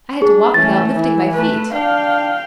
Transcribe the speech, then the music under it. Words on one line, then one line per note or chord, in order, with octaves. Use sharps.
I had to walk without lifting my feet.
D4 G#4
E3 A3 C#4 A6
E3 E4
A3 B4
D4 F5 G5